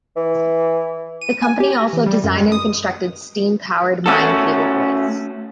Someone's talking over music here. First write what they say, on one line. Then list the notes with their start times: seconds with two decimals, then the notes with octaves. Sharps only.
The company also designed and constructed steam powered mine cable hoists.
0.16 E3
1.21 D#7
1.42 G#5
1.60 G4
1.73 A#6
1.93 E3
2.06 G3
2.24 F#2
2.36 G#3
2.52 D#6
4.06 A3 C#4 F#4 A4